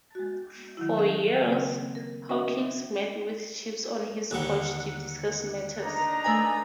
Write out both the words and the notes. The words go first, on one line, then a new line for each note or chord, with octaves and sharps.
For years, Hawkins met with chiefs on his porch to discuss matters.
G#3 F#4
D#3 F#3 E4
C#4 A4 E5 F5
C#3 A#3 C4
A#4
C#4 F#4 A#4 D#5 E5
D#2 D3 G3 F#6 C#7
D4 D#4 A#5
A3 B4 G#5